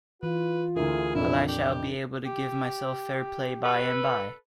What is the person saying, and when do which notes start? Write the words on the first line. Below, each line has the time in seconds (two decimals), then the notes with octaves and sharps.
But I shall be able to give myself fair-play by-and-by.
0.23 E3 F4 B4
0.76 D2 E4 G#4 A#4
1.15 A#1 F2 D4 E4
1.48 G4
2.24 G4
3.63 A4 B4